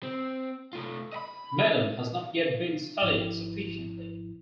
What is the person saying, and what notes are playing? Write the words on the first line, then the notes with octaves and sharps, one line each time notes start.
Medun has not yet been studied sufficiently.
C4
A3 F4
D#5 B5
G#1 G#2 F3 E4